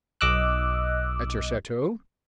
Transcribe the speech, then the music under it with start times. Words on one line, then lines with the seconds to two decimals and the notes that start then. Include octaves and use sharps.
"At your chateau."
0.21 B1 D#5 D6 E6 F#6